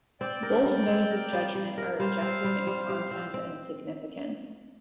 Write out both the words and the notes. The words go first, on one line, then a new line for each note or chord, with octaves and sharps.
Both modes of judgment are objective in content and significance.
C4 D5 G5
A#4
G3
C4
A#4
G3
G3
A#4
G3 C5 F5
C4
G3
G3
G4
C4
C4